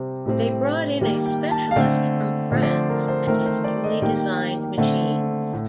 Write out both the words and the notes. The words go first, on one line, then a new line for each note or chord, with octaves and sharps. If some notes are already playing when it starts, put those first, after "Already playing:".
They brought in a specialist from France and his newly designed machines.
Already playing: C3 G3 C4
A2 G3 C4
D#3 G3 A#3
G5
A5
F5
D3 A3 C4 G5
D3 F3 A3 C4
D5
C5
A#4
C5
D#3 A3 C4 A#4
C5
D5
D#5
D#3 G3 A#3 G5
D3 A3 C4
A2